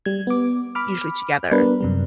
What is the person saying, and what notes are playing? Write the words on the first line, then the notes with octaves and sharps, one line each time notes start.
usually together.
G3 G#6
B3 D6
B5 D6 F6
G3 B3 D4 A#4 B4
F#2 C3 G3